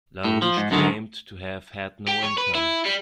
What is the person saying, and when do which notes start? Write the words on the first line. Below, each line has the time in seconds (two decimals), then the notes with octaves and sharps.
LaRouche claimed to have had no income.
0.24 A2
0.42 F3
0.57 G#2
0.71 F#2 D3 D#3
2.08 G4
2.23 C#5
2.37 B4
2.55 E4
2.85 G3